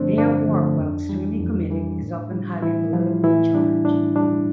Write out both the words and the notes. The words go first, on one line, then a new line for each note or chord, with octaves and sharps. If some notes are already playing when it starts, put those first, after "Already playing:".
Their work, while extremely comedic, is often highly politically charged.
Already playing: G2 D3 F3 A3 C4 D4 C5
G2 D4
D3 F3 A3
F2
E3 G3
F2
E3 G3
A2
G3
A2 E3 E4
F3 G3 F4
A2 E3 E4
G3 D4
A2 D4
G3 D4